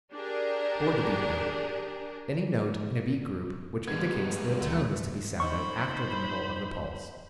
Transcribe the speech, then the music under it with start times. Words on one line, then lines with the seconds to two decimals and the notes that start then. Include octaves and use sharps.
Before-the-Beat Note: Any note in a beat-group which indicates that a tone is to be sounded after the middle of the pulse.
0.14 D4 G4 G#4 A#4
3.88 G3 G#3 B3 G#6
4.61 D2 A3
5.40 D#4 C5 C#5 B5 C#6